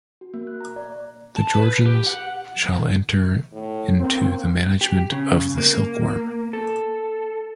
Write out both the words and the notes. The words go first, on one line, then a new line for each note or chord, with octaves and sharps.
The Georgians shall enter into the management of the silkworm.
F#4
A#3
F#6
A#5
D5
A5
B4
G4
F#5
A2
A#3 C4
G4
C#3
A#3
A4